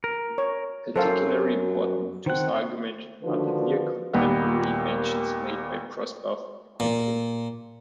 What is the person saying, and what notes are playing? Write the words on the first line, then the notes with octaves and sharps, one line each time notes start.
Particularly important to his argument are the near-contemporary mentions made by Prosper of Aquitaine.
A#4
C#5
F#2 F#3 A4 C5 F5
D#3 C4 F#5
D3 D#3 F3 D4 F#4 B4
D#2 A#2 G3 B3
A#2